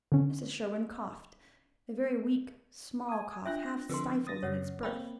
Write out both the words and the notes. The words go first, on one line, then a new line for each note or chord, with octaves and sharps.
Mrs. Sherwin coughed--a very weak, small cough, half-stifled in its birth.
D3 C#4
G#5 D#6
D4 F4 E5 G5 F#6 A#6
D3 F3 C4 A#4 B4 C6
D#6 A6 A#6
F#2 C#3 C#5 F#5
A#3 C4 G5 B5